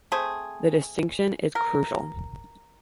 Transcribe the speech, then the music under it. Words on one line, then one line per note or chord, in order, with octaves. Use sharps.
The distinction is crucial.
A3 C4 G#4
A#4